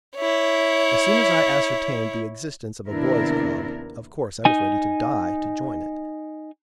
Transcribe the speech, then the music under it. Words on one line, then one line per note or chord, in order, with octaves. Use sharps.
As soon as I ascertained the existence of a boys' club, of course I was ready to die to join it.
E4 C#5
D#2 C3 B3 D4 E4 A#4
D#4 D#5 G#5